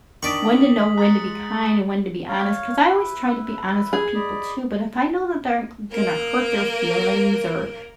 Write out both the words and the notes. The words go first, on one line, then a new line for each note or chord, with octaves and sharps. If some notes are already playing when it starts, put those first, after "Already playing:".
when to know when to be kind, and when to be honest, 'cause I always try to be honest with people too, but if I know that they're m gonna hurt their feelings, or
D#3 D4 D5 C#6 D#6 B6 D7 F#7
G#3 A#5 F#6 A6 C#7
C#5 F5
E4 B4
G#4
D5 D#5 B5
A#3 A#4